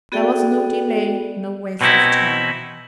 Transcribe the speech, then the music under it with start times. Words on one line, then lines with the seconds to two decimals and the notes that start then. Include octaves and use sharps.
There was no delay, no waste of time.
0.12 B3 F#4 G#4 A4 D5 G5
1.81 B2 C4 C#4 D#4 E4